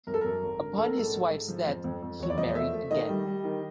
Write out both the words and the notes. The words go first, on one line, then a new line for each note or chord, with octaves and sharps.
Upon his wife's death he married again.
F#2 A#4
A4
F#2 A#4
G#1
D3
A#1 A4
A#4
G#2 A4
G#2
G#2
F3
F2
F2
F2
E2 C#5
D5
F3 D#5
A3 E5
A3
D#3 D#5
G3
G3
D#3